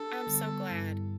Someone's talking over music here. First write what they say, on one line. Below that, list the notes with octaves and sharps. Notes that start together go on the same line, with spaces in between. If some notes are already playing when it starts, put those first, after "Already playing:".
I'm so glad.
Already playing: D4 G4 A4
D3 G3 B3
G2 G3 E4